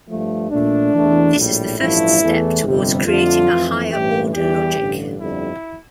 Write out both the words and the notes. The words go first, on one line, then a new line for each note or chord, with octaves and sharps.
This is the first step towards creating a higher-order logic.
G2 F3 A3
A#1 A#2 A3 D4
E2 C3 E3 A3
A#1 A2 G3
A1 G2 F3 A3 E4
E2 E3 A3
G1 F2 C3 G3
F2 D3 A3 F4
F2 E3 A3
A1 G2 E3 A3 G4
E2 E3 G3 G4
A1 G2 D3
G1 F2 D3 G3 E4